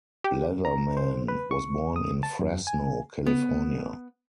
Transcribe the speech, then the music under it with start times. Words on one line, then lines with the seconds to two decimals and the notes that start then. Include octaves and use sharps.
Letherman was born in Fresno, California.
0.24 G4
0.65 A#5
0.97 C5
1.28 B4
1.51 C#6
1.96 D#6
2.23 A5
2.39 F#2
2.67 G#5
3.27 B3